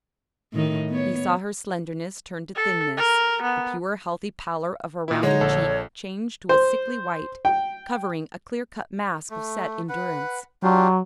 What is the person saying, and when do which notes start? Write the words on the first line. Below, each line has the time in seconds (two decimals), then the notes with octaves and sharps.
He saw her slenderness turn to thinness, the pure, healthy pallor of her rounded cheek change to a sickly white, covering a clear-cut mask of set endurance.
0.53 A2 D#3 D#4
0.90 B3 C#5
2.55 A4
2.97 A#4
3.42 B3
5.08 A#2 E4
5.23 D3 G#3 D#4 C#5
5.41 A#1 A4
6.49 C5
7.45 G5
9.31 A3
9.89 B4 F#5
10.63 F#3 D4 F4 G4